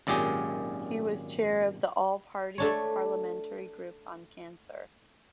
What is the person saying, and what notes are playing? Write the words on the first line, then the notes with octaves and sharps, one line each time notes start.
He was chair of the All Party Parliamentary Group on Cancer.
G#1 F#2 A#2 G4 G#4
A3 D4 C#5